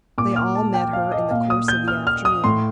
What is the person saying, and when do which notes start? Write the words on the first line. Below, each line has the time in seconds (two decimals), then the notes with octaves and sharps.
They all met her in the course of the afternoon.
0.18 A#2 D6
0.36 F6
0.55 A5
0.74 G5
0.93 F5
1.12 D#5
1.30 A#2 F5
1.50 D#6
1.68 G6
1.88 F6
2.07 F6
2.25 D#6
2.44 A2 C6